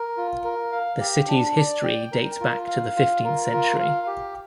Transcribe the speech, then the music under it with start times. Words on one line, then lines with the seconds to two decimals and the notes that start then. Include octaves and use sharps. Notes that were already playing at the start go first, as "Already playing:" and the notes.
The city's history dates back to the fifteenth century.
Already playing: A#4
0.17 F4
0.44 A#4
0.72 F5
1.00 G4
1.28 D4
1.57 D5
1.84 G5
2.12 A#4
2.40 F4
2.68 F5
2.96 F4
3.24 A#4
3.52 F4
3.80 F5
4.07 G4